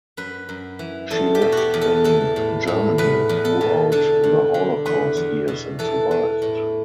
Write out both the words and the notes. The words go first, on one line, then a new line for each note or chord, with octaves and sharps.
She lived in Germany throughout the Holocaust years and survived.
F#2 B4
F#2
E3
E2 A4
G4
B2
F#4 G4
E2
A4
E3 A4
A2
A2
E2 B4
E2
A4
B2
D3 A4
G2
D3
E2 B4
E2
B2
E3 A4
E3
A2